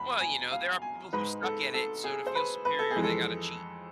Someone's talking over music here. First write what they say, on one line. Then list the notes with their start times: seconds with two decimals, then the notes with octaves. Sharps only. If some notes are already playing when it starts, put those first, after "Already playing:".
Well, you know, there are people who suck at it, so to feel superior, they gotta cheat.
Already playing: E2 B5
0.20 G#5
0.51 F5
0.82 G#5
1.13 G#2 G#3 B4
1.43 A4
1.74 A4
2.04 G#4
2.26 C5
2.35 B4
2.65 B4
2.79 A4
2.91 G#4
2.96 F2 E3 G#3
3.03 A4